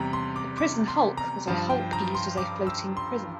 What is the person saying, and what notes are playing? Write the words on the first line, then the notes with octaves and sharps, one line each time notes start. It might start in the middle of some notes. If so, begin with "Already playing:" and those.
A prison hulk was a hulk used as a floating prison.
Already playing: E2 C3 G3 A#5
C6
D6
D6
C6
A#5
G2 F3 A5
G5
A#5
C6
D6
E6
C6